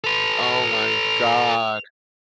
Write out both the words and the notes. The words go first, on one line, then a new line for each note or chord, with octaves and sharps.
Oh my god.
A4 B4 F7